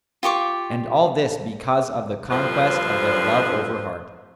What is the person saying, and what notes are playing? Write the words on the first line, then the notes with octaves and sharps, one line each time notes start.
And all this because of the conquest of their love over hearts.
F4 G4 C#6 D6
D2 G2 F3 C4 B4 C5